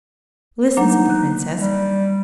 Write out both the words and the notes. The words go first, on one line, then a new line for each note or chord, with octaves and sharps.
'Listen!' said the Princess.
F#3 A#3 D4 D#4
F#6
G3